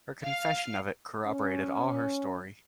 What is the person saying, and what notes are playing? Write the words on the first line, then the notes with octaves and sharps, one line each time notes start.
Her confession of it corroborated all her story.
F5
C#4